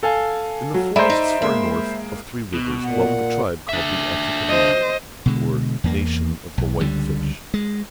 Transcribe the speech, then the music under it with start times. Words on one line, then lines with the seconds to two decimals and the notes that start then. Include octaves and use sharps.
In the forests far north of Three Rivers dwelt the tribe called the Atticamegues, or Nation of the White Fish.
0.03 A4 F5 G#5
0.74 F#3
0.96 G#3 C5 D5 E5 A#5 B5
1.10 D#4
1.42 G#3 A#3 E5
2.54 B2
2.85 A#2 F#5
3.69 D4 E5
4.48 C5 D#5
5.26 B2 D3 G#3
5.84 E2 A#3
6.58 B1
6.80 C#2 D3 G3
7.54 G#3